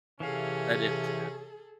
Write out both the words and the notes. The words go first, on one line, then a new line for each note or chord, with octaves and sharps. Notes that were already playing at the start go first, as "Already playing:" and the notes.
That is sad.
C3 E3 C#4 G#4 A4 F5